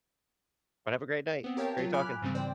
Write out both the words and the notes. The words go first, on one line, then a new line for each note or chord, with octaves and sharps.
But have a great night. Great talking.
B3 C4
G4 A#4 C#5 F5 G5 A5
F#3 F4
G#5 B5 D6 F6 F#6
G#2 C#3 E3 G3 G#3 C4
C5 D5 G5